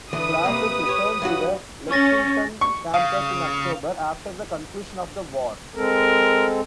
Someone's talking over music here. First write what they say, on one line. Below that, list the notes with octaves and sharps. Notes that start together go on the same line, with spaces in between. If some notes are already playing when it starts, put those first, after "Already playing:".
Classes returned to the Lexington campus in October, after the conclusion of the war.
D3 E3 B4 D#6
C3 A#3
G4 C#5
G2 F#3 F#4
C#4 C#6 A6 A#6
C#6
C#3 F5
G#3 C4 A4 A#4